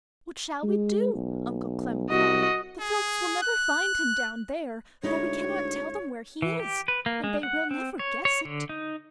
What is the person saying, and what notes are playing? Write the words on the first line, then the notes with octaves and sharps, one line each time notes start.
"What shall we do?" Uncle Clem cried, "The folks will never find him down there, for we can not tell them where he is, and they will never guess it!"
G#3
B1
C2 F#4 D#5
G#4
F#6
D2 G#3 D#4 E4 C#5
E3
G4
B4
A#3
G#3
F#5
C4
C#5
C#5
D3
D#4